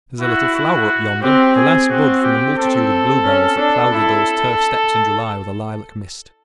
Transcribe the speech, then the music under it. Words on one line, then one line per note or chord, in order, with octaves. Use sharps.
There's a little flower up yonder, the last bud from the multitude of bluebells that clouded those turf steps in July with a lilac mist.
E4 F#4
F#4
C4 G4
G#4
C4 F#4
G4
C4 A4
C#4
D4
E4